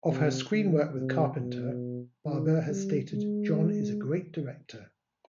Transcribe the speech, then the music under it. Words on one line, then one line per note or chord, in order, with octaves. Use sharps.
Of her screen work with Carpenter, Barbeau has stated: John is a great director.
C3
D3
C3
B2
D#3
G3
G#3